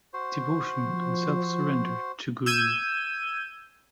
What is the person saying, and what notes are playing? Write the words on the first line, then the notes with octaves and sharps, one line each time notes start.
Devotion and self-surrender to guru.
F#4 C5
F3
E6 G6 G#6 D#7